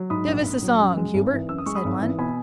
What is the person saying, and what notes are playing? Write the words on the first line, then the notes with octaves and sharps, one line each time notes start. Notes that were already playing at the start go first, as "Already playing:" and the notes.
"Give us a song, Hubert," said one.
Already playing: F#3
G#2 B5 D#6
A#1
A#1
F#3
F#2
G#3
G#1
E3
F#2 E6
D#6
G#3 C#6
B5 D#6
G#1
E3
B2 G#5 B5